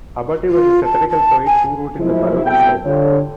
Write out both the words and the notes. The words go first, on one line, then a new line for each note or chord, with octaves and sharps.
Abati was a satirical poet who wrote in the Baroque style.
F4
A5
A5
G#5
F3 F#3 G#3 A#3 E4
C2 B2 E4 A4 G5
D3 G3 F4 C#5